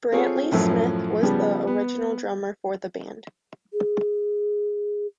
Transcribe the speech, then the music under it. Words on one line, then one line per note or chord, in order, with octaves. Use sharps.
Brantley Smith was the original drummer for the band.
C4 F4 G#4 A4 C#5
F#2 A2 F3 F#3
C#3 F3 G3 B3
B3
G#4